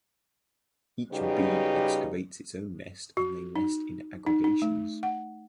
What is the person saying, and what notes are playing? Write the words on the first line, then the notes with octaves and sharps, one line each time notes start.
Each bee excavates its own nest and they nest in aggregations.
C#3 G3 D#4 F#4 G4 B4
F#4
D#4
D#4
D#4
A3
F#5